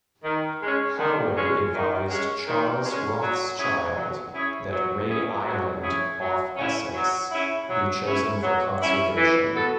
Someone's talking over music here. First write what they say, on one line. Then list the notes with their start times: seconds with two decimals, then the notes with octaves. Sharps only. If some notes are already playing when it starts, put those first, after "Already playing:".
Harwood advised Charles Rothschild that Ray Island off Essex be chosen for conservation.
0.24 D#3
0.61 G#3 C#4
0.98 D#3
1.37 G#3 C#4
1.74 D#3
2.10 G#3 C#4
2.48 D#3
2.85 G#3 C#4
3.22 F#3
3.59 C#4 E4 G#4 C#5
3.96 F#3
4.34 C#4 E4 G#4 C#5
4.71 F#3
5.08 C#4 E4 G#4 C#5
5.45 F#3
5.82 C#4 E4 G#4 C#5
6.20 F#3
6.57 C#4 E4
6.94 F#3
7.32 C#4 E4
7.69 F#3
8.06 C#4 E4
8.43 F#3
8.81 C#4 E4
9.17 E3
9.55 B3 F#4 A4